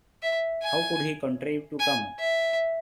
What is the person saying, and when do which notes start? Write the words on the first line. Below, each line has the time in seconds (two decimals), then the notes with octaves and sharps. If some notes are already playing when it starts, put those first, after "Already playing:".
How could he contrive to come?
0.23 E5
0.62 G#5
1.80 G#5
2.20 E5